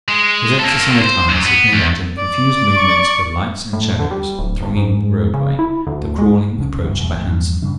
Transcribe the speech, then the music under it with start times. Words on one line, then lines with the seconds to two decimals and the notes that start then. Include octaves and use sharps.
His exercised eyes had made out in the confused movements of lights and shadows thronging the roadway the crawling approach of a hansom.
0.08 G#3
0.60 A#3 A4
1.02 C5
1.29 F#2
1.46 B3
1.72 E2
2.18 D5
2.76 C#6
3.73 A2
3.99 D3
4.11 G3
4.39 D1
4.61 G1
4.77 G#2
5.34 C#3
5.59 E4
5.86 D2
6.18 G#3
6.58 C2 C#3 C#4
6.82 G1 C2
7.00 E1 E2 A3
7.12 G#1 A3
7.27 E2 G2 F3 A#3
7.62 F#2 C#3 G3 D4